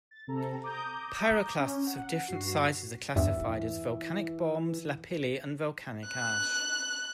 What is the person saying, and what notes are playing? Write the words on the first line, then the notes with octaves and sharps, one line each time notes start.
Pyroclasts of different sizes are classified as volcanic bombs, lapilli, and volcanic ash.
A6
C3 C4 A4 A#5
A#5 D6 D#6 G6
C#4
F#5
G2 F#4 C7
E2 G2 E3 E5
F#6